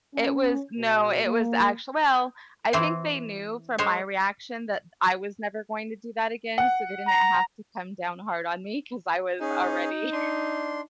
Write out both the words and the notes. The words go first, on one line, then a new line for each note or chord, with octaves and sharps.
it was no, it was actual well, I think they knew from my reaction that I was never going to do that again, so they didn't have to come down hard on me 'cause I was already.
C#4
B2
A#3
E3 C4 E4 C5
G#3 C5 C#5
F#5
A#5
C#4 D#4 G#4
D4 C6